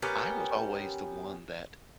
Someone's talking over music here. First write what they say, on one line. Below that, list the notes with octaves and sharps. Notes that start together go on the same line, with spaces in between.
I was always the one that
B3 C#4 G4 A#4